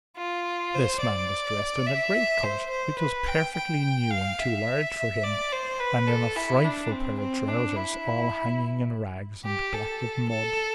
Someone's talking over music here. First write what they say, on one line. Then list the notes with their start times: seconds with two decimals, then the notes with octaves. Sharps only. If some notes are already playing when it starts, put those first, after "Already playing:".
This man was dressed in a great-coat which was perfectly new and too large for him, and in a frightful pair of trousers all hanging in rags and black with mud.
0.17 F4
0.74 C5
1.01 D5
1.86 E5
2.43 C5
2.70 C5
2.98 B4
3.27 G5
3.55 G5
4.11 F5
4.39 E5
5.23 D5
5.52 C5
5.79 B4
6.07 A4
6.36 E4
6.64 D4
6.91 C4
7.19 C4
7.48 D4
7.75 E4
9.44 G4
9.73 A4
10.29 A4